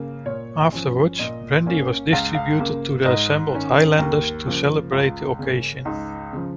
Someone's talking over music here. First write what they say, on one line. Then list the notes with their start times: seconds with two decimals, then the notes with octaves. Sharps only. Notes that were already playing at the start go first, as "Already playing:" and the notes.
Afterwards brandy was distributed to the assembled highlanders to celebrate the occasion.
Already playing: C#3 A#3 C#4
0.25 A#2 C#5
0.72 F3 C#4
1.19 A#2 D#5
1.66 A#3 C#4
2.13 C#2 F5
2.35 F5
2.59 C#3 A#3
3.05 G#2 D#5
3.53 D#3 C#4
3.99 D#2 A#4
4.46 C#3 F3 A#3
4.92 C#2 F4
5.39 C#3 A#3 C#4
5.85 C#2 D#4
6.33 C#3 F3